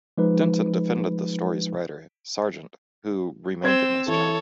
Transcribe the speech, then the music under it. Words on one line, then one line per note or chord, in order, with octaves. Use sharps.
Denton defended the story's writer, Sargent, who remained in his job.
F3 G#3 D#4 B4
C4 C5 E6 G#6
E3 A4 C#5